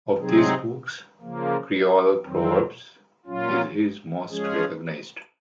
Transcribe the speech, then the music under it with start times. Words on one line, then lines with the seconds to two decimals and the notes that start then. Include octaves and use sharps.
Of these books, "Creole Proverbs" is his most recognized.
0.18 C3 F#3 C4 D#4 G#4
1.21 C#3 F3 A#3
2.23 F2 D#3 F#3 C4
3.26 A#2 F#3 C#4 F4
4.29 F3 G#3 C#4 G#4